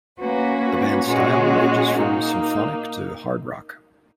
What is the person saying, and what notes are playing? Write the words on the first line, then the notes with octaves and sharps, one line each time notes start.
The band's style ranges from symphonic to hard rock.
A#3 C#4 F#4 B4
A#2 G#3 C#4 F#4
A#3 D#4